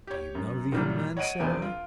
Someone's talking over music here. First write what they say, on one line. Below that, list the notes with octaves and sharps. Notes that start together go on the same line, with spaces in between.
"Do you know the young man?" said I.
G4 C#5
F#2
F#2 A#2 E3 F#3 G3
C#5 D#5 F#5 D7 D#7
E1 E2 C3 B3 C4 G#5
F4